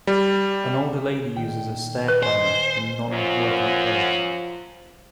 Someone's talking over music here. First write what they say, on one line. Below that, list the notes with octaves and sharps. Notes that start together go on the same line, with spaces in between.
An older lady uses a Stair Climber in nonwork out clothes.
G3
A#2 D#3 G5
B4
C5 D#5 G#5
F#2 F3